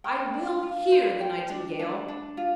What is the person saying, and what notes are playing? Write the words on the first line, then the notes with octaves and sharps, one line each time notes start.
I will hear the Nightingale!
G5
D4
F4
C5
G5
D4
D4
D4
F4